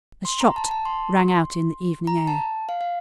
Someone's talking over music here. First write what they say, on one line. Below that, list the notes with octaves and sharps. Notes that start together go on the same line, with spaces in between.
A shot rang out in the evening air.
C6
A#5
A5
A5
C6
A#5
A5
F5
F5